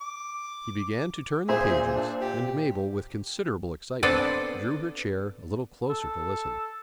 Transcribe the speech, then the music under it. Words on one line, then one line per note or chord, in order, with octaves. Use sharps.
He began to turn the pages, and Mabel, with considerable excitement, drew her chair a little closer to listen.
D6
A#2 G#4 C5 E5
D4
G4
B3 C4 D4 A4 B4
A4